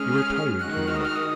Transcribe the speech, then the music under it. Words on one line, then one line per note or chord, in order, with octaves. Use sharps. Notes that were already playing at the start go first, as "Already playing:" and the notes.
You are tired, you know.
Already playing: G#3 C#4 G#4 F6
D#3 G#3 D#4 F#4 F#6
F6
D#6
F6
D#6